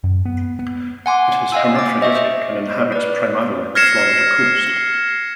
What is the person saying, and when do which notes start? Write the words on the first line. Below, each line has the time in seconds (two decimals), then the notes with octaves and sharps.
It is hermaphroditic and inhabits primarily the Florida coast.
0.04 F#2
0.25 B3
0.59 B3
1.06 F#5 G#5 C6 D6
1.52 D#5 F5 G#5 E6
1.75 D6 A6
2.01 C5 D#5 E5 C#6
2.16 C5 D#5
2.92 B4 D5
3.75 F6 G#6 A#6 C7 C#7 E7